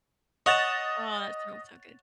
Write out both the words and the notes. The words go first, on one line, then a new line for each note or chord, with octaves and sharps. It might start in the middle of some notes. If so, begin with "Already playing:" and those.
Oh, that sounds so good.
C#5 D#5 F#5 A6 E7